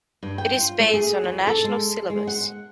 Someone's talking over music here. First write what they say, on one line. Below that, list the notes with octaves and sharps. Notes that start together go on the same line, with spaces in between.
It is based on a national syllabus.
G2
G5
F4
A3
G#4
F2
A4
G#3
G#3
F#5